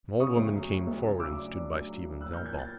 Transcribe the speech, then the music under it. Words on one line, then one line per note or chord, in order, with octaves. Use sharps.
An old woman came forward and stood by Stephen's elbow.
C#3 C#6 D#6
D2
F#3
F#3
D2
C#3
F#3 D6 E6
D4
D4
F#3
F#3
F#3
A#2 E6 F#6
F6 G6
A#2
F#6 G#6
A#2 G6 A6